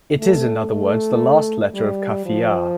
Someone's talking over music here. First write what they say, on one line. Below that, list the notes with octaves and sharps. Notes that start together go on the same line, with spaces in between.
It is in other words the last letter of Qaafiyaa.
A3
A3
G3
F3